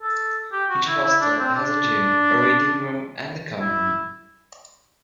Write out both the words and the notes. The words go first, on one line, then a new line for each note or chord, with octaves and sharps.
Each hostel has a gym, a reading room and a common room.
A4
G4
F#4
E4
E4
D4
C4
D4
E4